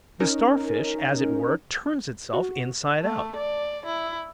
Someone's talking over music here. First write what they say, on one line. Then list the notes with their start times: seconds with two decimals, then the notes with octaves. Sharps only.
The Starfish, as it were, turns itself inside-out!
0.20 C#4 D#4 A#4
2.33 F#4
3.02 A3
3.36 D5
3.86 E4